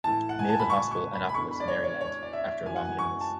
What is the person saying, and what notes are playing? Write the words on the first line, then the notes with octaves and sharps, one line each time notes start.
Naval Hospital, Annapolis, Maryland, after a long illness.
A2 E3 A5
F#5
G#5
A5
B5
C#6
C#6
B5
B5
E2 D3 C#6
B5
D5
C#5
C#5
C#5
D5
E5
F#2 E3 G#5
F#5
G#5
C#6
A5